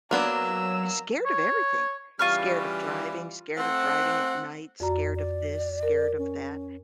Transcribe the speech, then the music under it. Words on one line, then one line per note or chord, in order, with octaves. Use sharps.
hi scared of everything. Scared of driving, scared of driving at night, scared of this, scared of that,
F#3 A#3 B3 D4 A#5 E6
C#5
C#3 E3 G3 F4 C#6 F6
A3 C4 F#5
F2 F#4 D5 A#5
D5
A#4
C#4